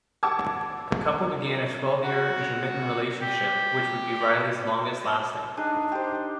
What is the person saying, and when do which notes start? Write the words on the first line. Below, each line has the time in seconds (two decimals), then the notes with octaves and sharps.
The couple began a twelve-year intermittent relationship which would be Riley's longest lasting.
0.23 F#5 A5 D6 E6 G#6
2.03 F#4
3.20 G4
5.57 D4 D#4 G#4 G#5
5.92 G4 C5